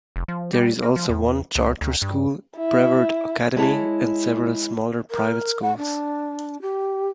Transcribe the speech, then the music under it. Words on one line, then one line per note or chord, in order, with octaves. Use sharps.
There is also one Charter School, Brevard Academy, and several smaller private schools.
F1
F3
G3
A#3
F3
E2
C#2
D2
G2
E4
G#3 E4 G#4 C#5 A5
A#4
F#5
D4
G4